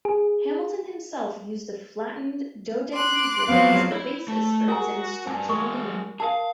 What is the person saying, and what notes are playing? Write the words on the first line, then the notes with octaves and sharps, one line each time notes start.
Hamilton himself used a flattened dodecahedron as the basis for his instructional game.
G#4
C6 D6 F#6
F3 F#3 B3 C4 F5
E4 C#5 B5
A3
F#4 A#4 G#5 A#5
G2 G#5
G#3 F#4 A#4 C#6
G#4 A#4 F5 A5